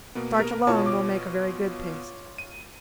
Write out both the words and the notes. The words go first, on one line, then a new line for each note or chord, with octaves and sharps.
Starch alone will make a very good paste.
B2 A#3 B3
A#4
B2 F4 C#5 A5
D6
D#7